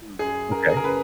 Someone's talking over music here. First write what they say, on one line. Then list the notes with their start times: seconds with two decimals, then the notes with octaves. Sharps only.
Mm, okay.
0.19 F#2 G#4
0.51 F#2 A#4
0.69 G#4
0.77 A#4
0.84 C#3 B4